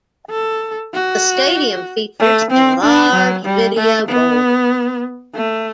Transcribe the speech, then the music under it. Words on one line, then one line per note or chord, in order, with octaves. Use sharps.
The stadium features a large video board.
A4
F#4
A3
C4
D4
F#3
G3
A3
B3
A3